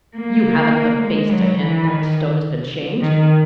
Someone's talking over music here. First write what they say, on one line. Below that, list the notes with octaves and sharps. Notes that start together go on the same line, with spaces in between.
"You haven't the face to hint that the stone has been changed?"
A#3
G#3
F#3
E3
D#3
D#3